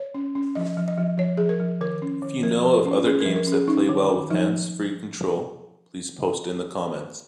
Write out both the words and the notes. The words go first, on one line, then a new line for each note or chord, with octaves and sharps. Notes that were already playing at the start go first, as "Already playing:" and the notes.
If you know of other games that play well with hands-free control, please post in the comments.
Already playing: C#5
C#4
C#4
F3 D#5
F3
D#5
F3
F3 C#5
F3 G#4
A#4
F3
D#3 A#4
C#4
D#3
F3 A#4
F3
F4
C#4
F4
C#4 G#4
A#4
F3
A#4
C#4 G#4
C#4 D#4
D#3
D#3
F3 D#4